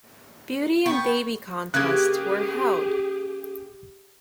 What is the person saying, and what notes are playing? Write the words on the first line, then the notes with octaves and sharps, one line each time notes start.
Beauty and baby contests were held.
B3 G5 C#6
C#3 A#3 G4 G#4 F#6 G#6